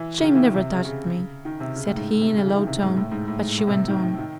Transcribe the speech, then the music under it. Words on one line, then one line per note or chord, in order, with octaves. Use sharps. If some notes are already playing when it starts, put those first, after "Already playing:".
'Shame never touched me,' said he, in a low tone: but she went on.
Already playing: E3
C#3
D#3
E3
D#3
C3
C#3
C#3
D#3
C3
C#3
A2
G#2
C3
C#3
E3
D#3
C3
G#2
A2
G#2
A2
G#2
A2
C3
D#3
D#3
D#3